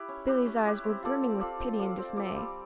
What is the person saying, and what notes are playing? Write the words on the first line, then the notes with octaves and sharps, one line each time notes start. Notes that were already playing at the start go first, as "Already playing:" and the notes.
Billy's eyes were brimming with pity and dismay.
Already playing: E4 G4 B4
C#4
E4 G4 B4
C#4
E4 G4 B4
C4
F4 A4 D5
C4
F4 A4 D5
C4
F4 A4 D5
C4
F4 A4 D5
G3